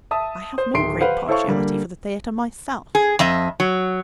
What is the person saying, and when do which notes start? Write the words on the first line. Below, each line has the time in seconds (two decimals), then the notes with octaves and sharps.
I have no great partiality for the theatre myself.
0.11 E5 A5 D#6
0.58 C5
0.74 D1 D#3 E5 C6 C7 D7
1.01 B4 C5 F5 F#5
1.28 E4 A4 C5 C#5 F5 C#6
1.47 D3 G3 A#3
2.95 G#4
3.19 F2 D#5 E5
3.60 F#3